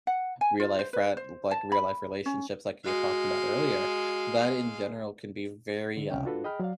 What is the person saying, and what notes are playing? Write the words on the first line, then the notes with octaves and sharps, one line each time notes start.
real life frien like, real life relationships like you were talking about earlier, that in general can be very, um,
F#5
G#5
F4
C5
B4
C5
A5
B5
C#4
G#3 F#4 F5
D3
C#2 C3 C#4 G5
D4 F4 F#4 A4 B4
G#4 D#5 G5 B5 F6
F#3 D5 F5